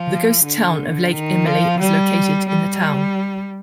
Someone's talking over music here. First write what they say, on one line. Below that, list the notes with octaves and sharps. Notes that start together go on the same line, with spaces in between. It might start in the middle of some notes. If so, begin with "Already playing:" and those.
The ghost town of Lake Emily was located in the town.
Already playing: F3
D3
D#3
F3
G3
G3